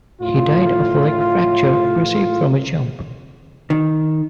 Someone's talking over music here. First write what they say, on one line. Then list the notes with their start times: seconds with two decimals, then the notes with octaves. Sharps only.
He died of a leg fracture received from a jump.
0.21 A2 F4
3.70 D#3